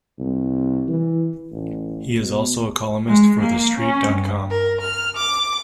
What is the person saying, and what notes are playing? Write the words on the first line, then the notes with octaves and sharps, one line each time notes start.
He is also a columnist for TheStreet dot com.
C2
E3
A1
B2
G#3
A#3
C#4
G2
A#4
F6
D6